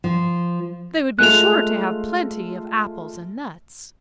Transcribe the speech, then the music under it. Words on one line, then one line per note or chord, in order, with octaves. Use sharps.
They would be sure to have plenty of apples and nuts.
F3
G#3 A3 F4 F#6 F7